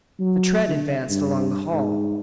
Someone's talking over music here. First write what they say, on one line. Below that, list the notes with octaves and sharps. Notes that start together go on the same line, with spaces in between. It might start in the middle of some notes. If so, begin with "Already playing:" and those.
The tread advanced along the hall.
F#3
D3
G2
G#2